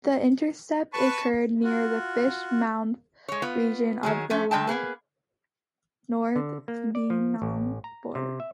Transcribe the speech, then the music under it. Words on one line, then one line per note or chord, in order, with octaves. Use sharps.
The intercept occurred near the Fish's Mouth region of the Laos, North Vietnam border.
B4 A5 C#6
F4 F#4
G#3 C#5
B3 F4
D#3 F#3 G#4
F3 A3 C#4
D3 G3 G5 A5
A#3 B3 G#4 B4
D3
A#3
D5
F3
A1
A#5
C3
E5